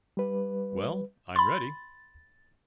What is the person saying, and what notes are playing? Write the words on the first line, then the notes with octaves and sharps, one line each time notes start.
Well, I’m ready.
G3 B4
B5 C6 A6